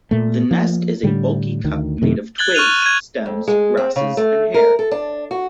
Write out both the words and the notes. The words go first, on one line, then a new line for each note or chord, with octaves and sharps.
The nest is a bulky cup made of twigs, stems, grasses, and hair.
A#2 A3
F3 A#3
A2 D3 G3
D2 D#3
F#2 C3 D#3
F#6 G#6 A6 F#7 G7
C#6 F6 F#6 D#7 F7
G#6 D#7
F2
G#3
C4
C#3
A3
A#4
A4
D4
F#4